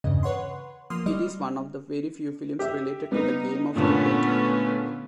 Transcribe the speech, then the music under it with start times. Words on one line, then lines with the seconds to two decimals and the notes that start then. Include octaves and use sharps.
It is one of the very few films related to the game of cricket.
0.04 E2 G2 C#3 D#5
0.23 B4 C#5 F#5 C6
0.90 F3 A#3 C6 D#6 F6
1.06 G3 D#5 F6
2.59 G4 E5
3.12 G3 B3 D#4
3.76 A#2 D3 A3 B3 C#4